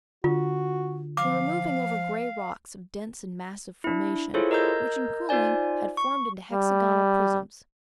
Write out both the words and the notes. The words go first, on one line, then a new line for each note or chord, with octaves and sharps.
We were moving over grey rocks of dense and massive formation, which in cooling had formed into hexagonal prisms.
D3 F4 F#4
F3 F5 D6
D4 E4
E4 F4 G#4 A4 C5 C#5
A#4 D#5 A#5 E6 G6 G#6
D#4 F4 C5 D5 G#5
C#6
G3